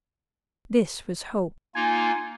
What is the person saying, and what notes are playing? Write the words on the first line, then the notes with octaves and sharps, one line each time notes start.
This was Hope.
A#3 D#4 F4 G#5